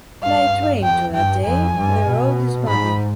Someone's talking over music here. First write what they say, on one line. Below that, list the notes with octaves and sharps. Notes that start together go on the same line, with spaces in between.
Light rain toady, the road is muddy.
G2 F5
F2 G5
G2 G5
F2 G#5
G2
B2
G#2 B5